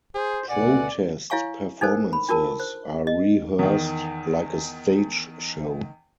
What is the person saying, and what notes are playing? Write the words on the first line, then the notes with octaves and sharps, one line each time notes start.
Protest performances are rehearsed like a stage show.
G#4 C5
D2 B2 D5 F#5 G#5
E4 C#5 F5 G#5 C#6
D4 D#4 A4 A#4 C5
B5
D4 F4 A#4 A5
C5
D#5
E2 D#3